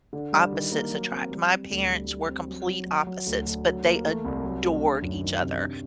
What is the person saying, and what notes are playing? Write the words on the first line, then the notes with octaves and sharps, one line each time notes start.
opposites attract. My parents were complete opposites, but they adored each other.
D3
G3
D#3
A#3
F#3
C4
G3
C4
D2
G3
G3
C4
F#3
F#3
F#3
F#3
D2
D2
F#3
A#3
A3
C2
F#3
A3
D3
F#2
D#3
C3
D4